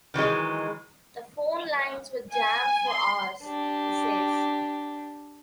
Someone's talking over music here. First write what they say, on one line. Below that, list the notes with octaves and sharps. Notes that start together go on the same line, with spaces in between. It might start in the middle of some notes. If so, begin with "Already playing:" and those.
"The phone lines were jammed for hours," he says.
D#3 E3 F#3 G#3
G#5
C6
D4 G4